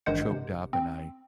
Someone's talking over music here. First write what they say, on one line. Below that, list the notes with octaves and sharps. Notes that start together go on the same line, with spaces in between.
choked up and I
A1 G2 D#3 G#3 C5 F#5
C3
C4